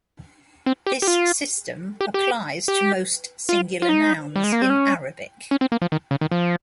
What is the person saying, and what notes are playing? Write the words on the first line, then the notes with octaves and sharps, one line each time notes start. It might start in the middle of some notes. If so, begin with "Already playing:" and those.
This system applies to most singular nouns in Arabic.
C4
G4
G4
F4
G4
G4
G4
F4
F4
D#4
G3
G#3
A#3
C4
C#4
C#4
C4
A#3
F3
D#3
C#3
D#3
F3